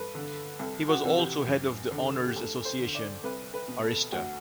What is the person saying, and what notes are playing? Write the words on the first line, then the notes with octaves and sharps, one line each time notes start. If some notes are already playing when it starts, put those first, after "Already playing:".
He was also head of the Honors Association, Arista.
Already playing: G2 A4 B4
D3
C2 A4
F#4
C3 E3
G4
F#2
D3
G4
D2 A4
C5
D3
D5
C2 B4
B4
B2
A4
D2 F#4